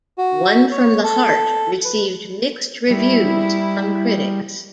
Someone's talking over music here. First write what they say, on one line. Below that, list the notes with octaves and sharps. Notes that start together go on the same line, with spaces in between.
"One from the Heart" received mixed reviews from critics.
F#4
C#5
A4
B4
G3 E4